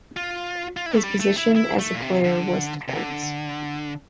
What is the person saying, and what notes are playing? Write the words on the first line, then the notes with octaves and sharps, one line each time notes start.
His position as a player was defence.
F4
F4
E4
A3
G3
A3
E4
E4
A3
A#2
C3
D3
C3
D3